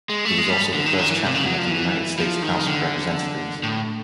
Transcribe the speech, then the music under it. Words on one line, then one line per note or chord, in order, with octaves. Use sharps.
He was also the first Chaplain of the United States House of Representatives.
G#3
A3
G#3
G3
D3
D#3
D3
D#3
E3
C3
C#3
F#3
F3
E3
F3
D#3
D3
A2